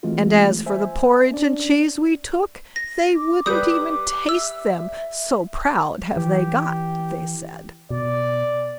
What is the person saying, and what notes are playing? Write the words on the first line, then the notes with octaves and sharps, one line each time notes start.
'And as for the porridge and cheese we took, they wouldn't even taste them, so proud have they got', they said.
E3 G#3 A3 C4 F4 F#4
C5 E5 G#5
C#4 D4 D5
A#6
D6
G3 B4 D#6 G6
E5 E6
E3 G4
B2 D5